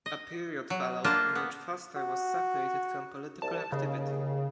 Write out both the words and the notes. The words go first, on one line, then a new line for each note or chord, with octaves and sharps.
A period followed in which Foster was separated from political activity.
D#5
F#3
A#3 D4 F4 C5
B3
F#4
C2 A5
D#2 C#3